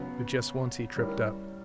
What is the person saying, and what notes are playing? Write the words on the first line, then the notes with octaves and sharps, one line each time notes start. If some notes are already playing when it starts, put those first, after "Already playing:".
But just once he tripped up.
Already playing: C#3 F#3 B3
G3 C#4 E4 A#4